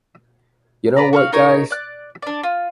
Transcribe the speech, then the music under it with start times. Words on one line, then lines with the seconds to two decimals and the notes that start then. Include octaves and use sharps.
You know what, guys?
0.96 B4 D5 A#5
1.13 F#4 A4 F5
1.32 D#4 A#4 C#5
1.70 D5 F#6
2.22 D4 D5
2.43 F4